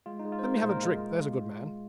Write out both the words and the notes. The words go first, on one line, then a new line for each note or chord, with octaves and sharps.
Let me have a drink, there's a good man.
G#3 F4
D#4
G#3
F4
C5
G#3 A#4
C5
A#2
A#4
G#3 F4